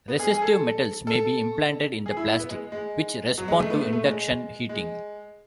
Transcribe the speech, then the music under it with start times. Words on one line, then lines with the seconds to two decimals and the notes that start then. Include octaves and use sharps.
Resistive metals may be implanted in the plastic, which respond to induction heating.
0.08 B3
0.19 G#4
0.31 G#4
0.42 A4
1.07 A4
2.06 G#4
2.17 E4
2.28 E4
2.40 B3
2.50 G#3
2.72 G#3
3.38 F#3
3.48 G#3
3.60 A3
3.70 B3
3.81 A3
3.93 A3
4.04 G#3
4.69 G#3